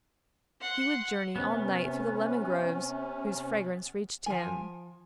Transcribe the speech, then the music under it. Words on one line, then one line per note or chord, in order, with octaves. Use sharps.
He would journey all night through the lemon groves, whose fragrance reached him.
F#5 C6
C3 B3 C#4
F3 G#5